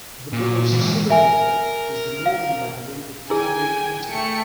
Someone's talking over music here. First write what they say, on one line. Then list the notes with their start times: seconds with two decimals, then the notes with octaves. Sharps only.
The borough's southern border is the northern boundary of Cambria County.
0.33 A#2
0.72 G#2 E3
1.10 A#4 E5 G#5
2.26 F5
3.30 E4 G#4 G5 G#5
4.10 A3 G5 C#7